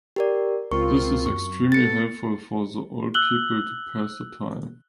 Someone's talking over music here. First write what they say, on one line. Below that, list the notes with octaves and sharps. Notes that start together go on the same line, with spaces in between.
This is extremely helpful for the old people to pass the time.
G4 A#4 D5
C#2 C4 F4 A#4 C#6
F#2 C#6
B3 A4 A6 C#7
E6 F#6 F#7 G7